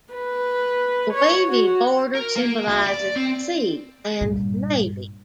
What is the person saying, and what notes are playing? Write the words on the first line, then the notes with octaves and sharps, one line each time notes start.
The wavy border symbolizes the sea and Navy.
B4
C#5
F#4
A#4
A#3
D2
D5
C4
G2 A#2